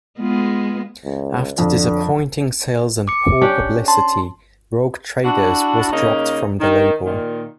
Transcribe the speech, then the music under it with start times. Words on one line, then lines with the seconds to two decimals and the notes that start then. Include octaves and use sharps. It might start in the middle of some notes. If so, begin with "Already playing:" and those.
After disappointing sales and poor publicity, Rogue Traders was dropped from the label.
0.20 G#3 B3 F4
1.05 C#2
1.58 F2 D3
3.08 D6 C#7
3.41 C#4 D4 G4
3.88 A5 C6
5.24 D4 E4 F#4
5.91 C#3 A#3 D#4
6.61 D#3
7.04 A#2 D#3